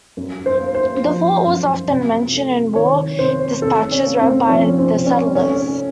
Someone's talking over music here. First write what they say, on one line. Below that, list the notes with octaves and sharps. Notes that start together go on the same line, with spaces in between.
The fort was often mentioned in war dispatches read by the settlers.
F#2
C5
A#3
C5
F3
F#2
C3
A3
D#3 C#5
C3 C5
C3 A4
C#4
A#3
C4
F3 C#4
C4
C3
C#4
A3 C#4